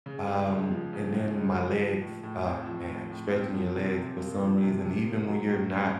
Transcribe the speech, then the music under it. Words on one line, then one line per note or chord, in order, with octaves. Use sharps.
Um, and then my legs, ah man, stretching your legs for some reason, even when you're not
C#3
C#2
C#2
F3
C#3
C#2
C#2
F3
F3
A2
A2
C4
F3
A2
A2
C4
F3
C3
C3
A#3
F3
C3
C3
A#3
F#3
A2
C#4